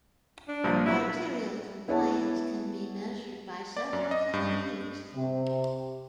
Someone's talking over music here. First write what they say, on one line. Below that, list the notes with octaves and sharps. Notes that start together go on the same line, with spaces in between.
Arterial compliance can be measured by several techniques.
D4
C2 A#2 F3
F#3 E4
B3 E4 G#4 C#5 F#5 A5
D5
F#2
D#5
G2
C3